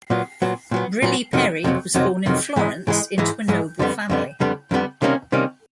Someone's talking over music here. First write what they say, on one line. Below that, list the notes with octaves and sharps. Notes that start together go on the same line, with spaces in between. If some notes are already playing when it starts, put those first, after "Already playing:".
Brilli-Peri was born in Florence into a noble family.
A#2 F#3 B3
A#2 F#3 B3
A#2 F#3 B3
A#2 F#3 B3
F2 C3 D#3 F#3
F2 C3 D#3 F#3
F2 C3 D#3 F#3
F2 C3 D#3 F#3
G#2 E3 G#3
G#2 E3 G#3
G#2 E3 G#3
G#2 E3 G#3
F2 D3 G3 B3
F2 D3 G3 B3
F2 D3 G3 B3
F2 D3 G3 B3
C3 D#3 G3 A#3 C#4
C3 D#3 G3 A#3 C#4